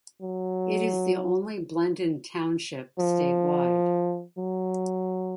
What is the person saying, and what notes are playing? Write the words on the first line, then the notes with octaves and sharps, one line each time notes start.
It is the only Blendon Township statewide.
F#3
F3
F#3